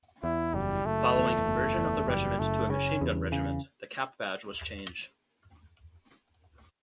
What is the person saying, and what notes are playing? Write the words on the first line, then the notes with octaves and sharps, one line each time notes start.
Following conversion of the Regiment to a machine-gun regiment, the cap-badge was changed.
E2 E4
F#1 G3
F#1 A3
E2
F#1
E2
F#1 G3
F#1 A3
C#3 C#4
E2
C#3